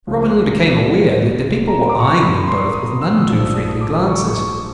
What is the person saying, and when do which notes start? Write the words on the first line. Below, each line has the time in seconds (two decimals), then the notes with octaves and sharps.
Robin became aware that the people were eyeing them both with none too friendly glances.
0.07 C#2 C#3 F3 A#3
1.67 A#5
1.89 D6
2.00 C#6
2.10 C6
2.21 B5
2.47 C6
2.74 D#6
3.01 E6
3.27 A#1 A#2 F3 A3 D4 E6
3.54 D#6
3.81 D6
4.08 C#6
4.18 D6
4.27 C#6